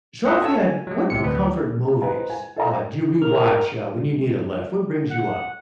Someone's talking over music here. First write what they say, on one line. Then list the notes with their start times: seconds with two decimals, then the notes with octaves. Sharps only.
So, off the end, what comfort movies, uh, do you rewatch, uh, when you need a lift? What brings you up?
0.25 F4 G#4 D#5 E5 F#5 G5
0.42 A4 C#5 A5 E6
0.55 G#5
0.87 F#3 G#3
1.10 C2 A2 C3 C#7
1.22 D2 B3
2.02 B4 C5 D#5 A#5
2.30 G#5
2.56 A4 C5 D5 D#5 F5 A#5
3.22 A#4
5.11 F#5